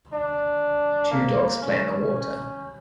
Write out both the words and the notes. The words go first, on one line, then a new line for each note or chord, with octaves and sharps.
Two dogs play in the water.
D4
A#3
C#4
C#4